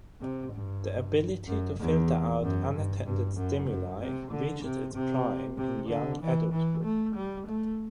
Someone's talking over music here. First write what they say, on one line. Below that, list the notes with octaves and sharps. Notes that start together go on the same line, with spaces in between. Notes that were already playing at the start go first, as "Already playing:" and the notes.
The ability to filter out unattended stimuli reaches its prime in young adulthood.
C3
G2
F#2
E2
F#2
G2
G2
F#2
F#2
C3
D3
C3
C3
C3
D3
E3
E3
A3
G3
A3